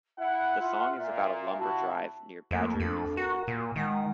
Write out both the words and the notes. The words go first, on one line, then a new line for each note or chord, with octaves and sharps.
The song is about a lumber drive near Badger, Newfoundland.
E4 E5 F#5
F4 E5 F#5
A#2 E5
C3 E4 F#4 A5
F2 A3 A#3 A#4
F2 D4 A4
F#4 A#4 A#5
A#2
D#3 G#3 F#5 A#5